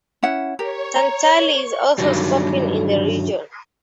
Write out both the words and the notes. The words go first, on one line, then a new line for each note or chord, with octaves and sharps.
Santali is also spoken in the region.
C#4 E4 F#5
G4 A#4 C#5
A#5
C#6
G2 D3 D#3 F#3 G3